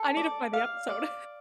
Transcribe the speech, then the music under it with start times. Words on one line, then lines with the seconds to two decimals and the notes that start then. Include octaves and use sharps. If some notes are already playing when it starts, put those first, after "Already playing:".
I need to find the episode.
Already playing: A4
0.17 D5
0.53 F5
0.89 D5